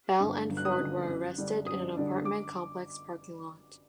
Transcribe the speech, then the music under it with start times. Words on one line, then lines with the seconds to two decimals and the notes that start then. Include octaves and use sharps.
Bell and Ford were arrested in an apartment complex parking lot.
0.20 G2 D3
0.50 G1
0.57 F#6
0.65 D#6
0.72 F#6
0.79 G2 D3
1.08 F#2
1.38 D3 G3 D4
1.66 F#2 D#6
1.97 D3 G3 D4
2.25 D6